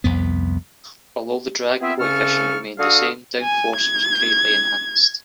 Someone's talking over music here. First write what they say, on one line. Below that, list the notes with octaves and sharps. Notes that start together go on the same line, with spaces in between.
Although the drag coefficient remained the same, downforce was greatly enhanced.
C2 F2 B3
B3 C4 F4 G#4 E5
C2 C#3 C#4 A4 C#6 F6
D3 F#4 A4 F5 D#6
G#5
G#6